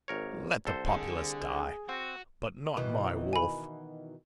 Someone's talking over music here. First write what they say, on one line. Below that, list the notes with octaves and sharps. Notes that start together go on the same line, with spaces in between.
Let the populace die, but not my wolf.
G#1 A#4 C#5
C2 A4 C5
D3 G#4
C4 F#4
B2 D#3 E3
G#5 B5